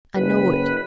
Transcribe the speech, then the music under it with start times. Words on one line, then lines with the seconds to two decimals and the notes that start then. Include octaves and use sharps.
I know it.
0.16 F#1 B4